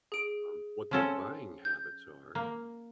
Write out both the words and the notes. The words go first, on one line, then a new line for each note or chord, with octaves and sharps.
um, what their buying habits are,
G#4 D7
F3 C#4 A4
G6
A#3